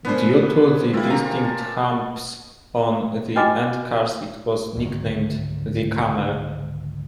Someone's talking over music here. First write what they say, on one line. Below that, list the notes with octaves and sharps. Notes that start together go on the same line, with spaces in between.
Due to the distinct humps on the endcars it was nicknamed "the camel".
A#2 B3 C#4 D4 B4 C5
G#3 C4 E4 F4 G4
C#4 F4 G4 A#5
A5
C#4 F#4 B4 D#5 G#5 D6
C#2 G#2 D3 D#3